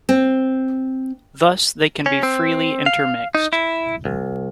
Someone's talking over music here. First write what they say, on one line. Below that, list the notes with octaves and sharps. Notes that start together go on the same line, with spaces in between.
Thus, they can be freely intermixed.
C4
C#4
C4
F5
D#4
E4
C2